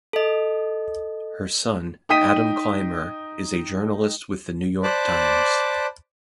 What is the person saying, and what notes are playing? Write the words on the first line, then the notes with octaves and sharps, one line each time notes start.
Her son, Adam Clymer, is a journalist with the New York Times.
A4 D#5
D#4 G5 D#6 B6 D#7
C5 D5 A5 B5 D6 F#6